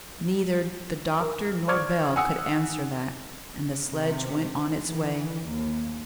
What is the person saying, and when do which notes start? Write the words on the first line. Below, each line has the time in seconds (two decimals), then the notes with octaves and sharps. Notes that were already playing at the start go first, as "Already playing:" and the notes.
Neither the doctor nor Bell could answer that, and the sledge went on its way.
1.20 A#4
1.68 C5 D5 C#6 D6 F6 G#6
2.16 F#5 G#5 D#6 E6 C#7
3.90 C3
4.81 E3
5.49 D#2